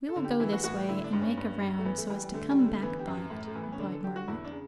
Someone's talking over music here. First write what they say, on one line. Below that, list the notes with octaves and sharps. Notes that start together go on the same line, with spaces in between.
We will go this way, and make a round so as to come back by it,' replied Margaret.
A4
D3
G4
E3 E4
F#4
A2 F#4
G4
D3 E4
D4
G2
C#4
G2
G2
A3
E3 B3
A3
E3 G3
G3
D3 A3
G3
D3
A3
E3 B3
G4
F#2
A2
A3
E3
B3
C#4
D3 D4
A4
D3 G4
F#4
E2 E4
D4
C#3